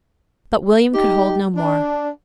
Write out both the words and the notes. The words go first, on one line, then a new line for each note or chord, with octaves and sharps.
But William could hold no more.
D#4 G4
D4